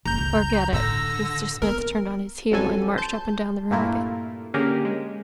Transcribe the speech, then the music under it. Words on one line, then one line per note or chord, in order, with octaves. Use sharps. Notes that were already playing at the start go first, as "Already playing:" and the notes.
"Forget it!" Mr. Smith turned on his heel and marched up and down the room again.
F#1 A#5 G6
C#2
A2 D3 E6 A#6
B3 A#4
A1 F2 F#3 A4 G#5
A5 C6 G6
G2 A#2 A3 A#3 E4 F4
D3 A#3 C#4 G4 G#4 A#4
G#3